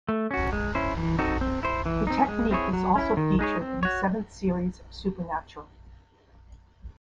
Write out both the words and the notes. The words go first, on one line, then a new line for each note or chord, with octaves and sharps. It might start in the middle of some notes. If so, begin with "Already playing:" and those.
The technique is also featured in the seventh series of "Supernatural".
A3
C#4 F#4
G#3
C#4 E4 C5
E3
C4 D#4 F#4 A4
C4
E4 C5
E3
C4 D#4
G#3
C4 E4 G#4 C#5
F#3
C#4 E4
D#3
G#3 D#4 G#4 C#5
C4
F#4 C#5